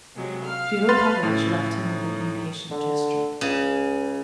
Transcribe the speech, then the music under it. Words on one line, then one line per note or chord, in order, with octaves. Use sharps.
Fyodor Pavlovitch left him with an impatient gesture.
C3 F#3 G#3
F5 F6
B4 C6 A6
A2 C#3 E4
D#4
D3
C#2 C#3